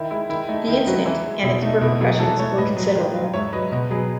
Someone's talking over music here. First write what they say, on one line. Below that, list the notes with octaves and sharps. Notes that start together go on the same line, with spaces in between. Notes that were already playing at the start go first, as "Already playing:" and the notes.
The incident and its repercussions were considerable.
Already playing: D#3 E4
G#3 E4
D#3 E4
A3 D#4
D#3 E4
F#3 D#4 F#4
E3 E4
G#3
B2 E4
A3 D#4
B2 E4
F#3 E4 G#4
E3 F#4 A4
A3 A4 C#5
A2 B4 D#5
F#3
D#3
F#3
G#2 C#5 E5
F#3 B4 D#5
B2 B4 D#5
F#3 G#4 B4